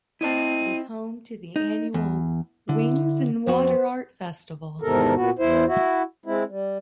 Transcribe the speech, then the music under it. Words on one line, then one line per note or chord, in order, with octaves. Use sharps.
It is home to the annual Wings 'n Water art festival.
C4 E4 D#5 A5 D#7
D#4
E2
D3 E4
F2 B3 F#4 C5
E2 G#2 C3 D#3 A4 A#4
A#2 B3 F#4
E2 E4 C5
E4 F#4
G#3 C4 E4
G3